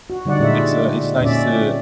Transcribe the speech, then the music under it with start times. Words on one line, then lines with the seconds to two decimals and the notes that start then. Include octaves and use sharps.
It's, uh, it's nice to
0.10 F#4
0.25 D3 G3 D#4 D5 F#5
0.40 A#2 G#3 D#4 F4 D5 E5
1.21 A#2 C4 C#4 D5 E5